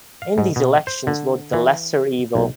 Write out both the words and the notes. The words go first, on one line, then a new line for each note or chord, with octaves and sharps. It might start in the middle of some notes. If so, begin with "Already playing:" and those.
In these elections vote the lesser evil.
F5
G#2
B2
C5
D3
E3
B1